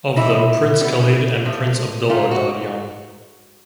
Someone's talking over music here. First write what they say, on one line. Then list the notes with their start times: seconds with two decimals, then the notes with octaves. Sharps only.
Of them Prince Khalid and Prince Abdullah died young.
0.16 C3 E3 G#3 E4
0.81 D3 G3 B3
1.45 C3 F3 A3
2.09 A#2 F3 A3 F4
2.31 F#4